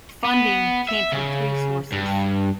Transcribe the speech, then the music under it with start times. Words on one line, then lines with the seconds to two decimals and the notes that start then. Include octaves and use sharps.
Funding came from three sources.
0.24 B3
0.89 E5
1.12 C#3
1.92 G2